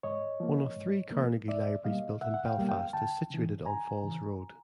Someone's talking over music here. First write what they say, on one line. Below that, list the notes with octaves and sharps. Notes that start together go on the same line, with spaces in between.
One of three Carnegie libraries built in Belfast is situated on Falls Road.
G#2 C#5 D#5
F3 A#3
G#2
A#3
F3
C#2 D5 E5
B2 G3 A#3 D#5 F5
C#2 E5 F#5
F#5
F5 G5
B2 G3 A#3
F5 G5
D2 G5 A5
C#3 E3
D2 G#5 A#5
C#3 E3